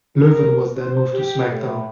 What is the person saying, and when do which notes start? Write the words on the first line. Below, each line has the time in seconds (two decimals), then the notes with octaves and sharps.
Loewen was then moved to SmackDown!
0.21 A#4
0.77 C5
1.14 G4
1.46 A2